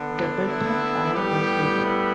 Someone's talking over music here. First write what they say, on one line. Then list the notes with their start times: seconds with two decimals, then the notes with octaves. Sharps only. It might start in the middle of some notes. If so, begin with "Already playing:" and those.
The Bedtime Hour was retained.
Already playing: D3 B3
0.11 D4
0.46 E4
1.14 A2 G3 B3 G4
1.83 E4